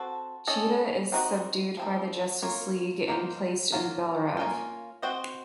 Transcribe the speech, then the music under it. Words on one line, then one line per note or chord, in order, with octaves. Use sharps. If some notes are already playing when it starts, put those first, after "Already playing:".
Cheetah is subdued by the Justice League and placed in Belle Reve.
Already playing: C4 F#4 A4
C#4 A4 D#5
C4 D#4 F#4 A#4 D#5
F3 C4 D#4
A#3 F4 A#4 C#5
F#3 A#3 D#4 A4 C5
F#3 A#3 F4 A#4
A#3 C#4 F4
C4 F#4 C5 D#5